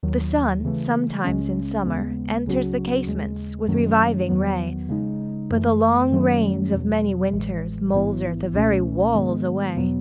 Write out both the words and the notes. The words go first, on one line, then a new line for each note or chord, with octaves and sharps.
The sun, sometimes in summer, enters The casements, with reviving ray; But the long rains of many winters Moulder the very walls away.
D#2 D#3 F#3
C#3 E3 A3
C#2 C#3 G#3 C#4
D#2 C#3 G#3 B3
C#2 C#3 F#3 C#4 F#4
D#2 C#3 G#3
F#2 D#3 F#3 A3 C#4
E2 D#3 F#3 B3
C#3 G#3 D#4
F#2 E3 A3
F#2 D#3 F#3 A3 C#4
E2 B2 F#3
A1 A2 E3 G#3
A1 G#2 E3 B3 E4
C#2 B2 A3 C#4
G#2 D#3 G#3 B3
E2 B2 F#3 B3